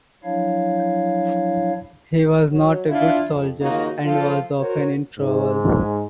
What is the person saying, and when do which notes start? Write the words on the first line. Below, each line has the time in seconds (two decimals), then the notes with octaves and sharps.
He was not a good soldier, and was often in trouble.
0.24 F3 F#3 D4 E4 C#5 F5
2.51 F#3
2.89 D4 E4 F4
3.29 F2
3.61 D#2 C#3 A#3 D#4 F4 F#4
4.05 F3 F4 A4
4.58 F#4 A#4 C5 C#5
5.19 G#2